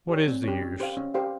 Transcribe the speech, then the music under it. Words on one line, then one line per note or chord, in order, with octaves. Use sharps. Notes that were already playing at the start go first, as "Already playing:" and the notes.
What is the use?
G4 C#5
C4
G4 C#5
C#4
G4 C5 F5
C#4
G4 C5 F5